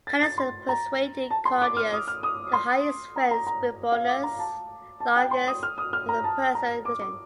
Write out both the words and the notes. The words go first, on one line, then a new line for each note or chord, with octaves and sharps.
Callistus persuaded Claudius to hire his friend Scribonius Largus as a personal physician.
A6
A6
C6
A#5
A5
C6
D6
F6
D#6
F6
D#6
C6
A#5
A#5
A#5
F5
D6
A#5
A5
A5
G5
C6
D#6
F6
D#6
F6
A#5
A5
A#5
D6
D6